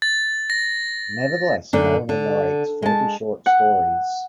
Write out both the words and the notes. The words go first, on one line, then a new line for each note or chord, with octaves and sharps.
Nevertheless, Mulliner narrates forty short stories.
A6
A#6
F#2 D3 D5
D3
G#3 A5
F#5